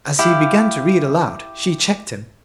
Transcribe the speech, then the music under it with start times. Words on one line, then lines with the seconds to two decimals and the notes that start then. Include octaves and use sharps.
As he began to read aloud she checked him.
0.19 E4 G4 F5